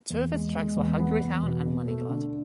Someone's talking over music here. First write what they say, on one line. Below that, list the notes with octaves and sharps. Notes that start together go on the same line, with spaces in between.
Two of its tracks were "Hungry Town" and "Money God".
E2
G#3
G#3
E2
B3
E2
B2
B2
A3
D3